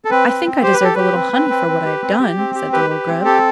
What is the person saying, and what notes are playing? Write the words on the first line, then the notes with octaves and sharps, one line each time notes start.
"I think I deserve a little honey for what I have done," said the little Grub.
A4
C4 B4
C4
C4
G4 C5
B4
G4 A4
G4 B4
C4
C4
C4
C4
G4
C4
G4
C4
G4
G4 B4
G4
C4
G4 A4